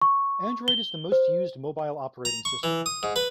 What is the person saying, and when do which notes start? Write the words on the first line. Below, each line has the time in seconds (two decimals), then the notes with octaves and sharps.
Android is the most used mobile operating system.
0.02 C#6
0.68 G7
1.12 C5
2.25 A#5
2.45 C#6
2.63 E3
2.86 D#6
3.03 G#2
3.16 B4